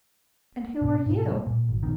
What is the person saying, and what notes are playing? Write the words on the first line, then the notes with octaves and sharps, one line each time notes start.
"And who are you?"
G#2 B2
G#2 B2
G3 A#3
A#2
G#1
A#1 B2 D#3